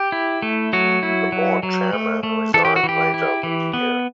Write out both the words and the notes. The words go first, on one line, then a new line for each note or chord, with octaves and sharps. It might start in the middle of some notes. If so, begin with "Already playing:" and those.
The board chairman resigned later that year.
Already playing: G4
E4
A3
F#3 F#4
E4
F#3
F#3
A3
A3
E3 A4
G4
F#4
E3
G4
E4
E3
B3